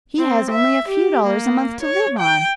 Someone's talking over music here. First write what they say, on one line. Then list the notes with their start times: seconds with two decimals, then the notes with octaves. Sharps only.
He has only a few dollars a month to live on.
0.19 C4
0.51 E5
0.89 G4
1.26 A#3
1.82 C#5
2.19 G5